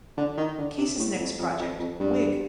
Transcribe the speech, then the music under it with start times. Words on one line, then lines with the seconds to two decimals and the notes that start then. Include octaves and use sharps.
Case's next project, Wig!
0.17 D3
0.37 D#3
0.58 D3
0.78 C3
0.99 A2
1.18 F2
1.39 F2
1.59 F2
1.79 F2
2.00 G2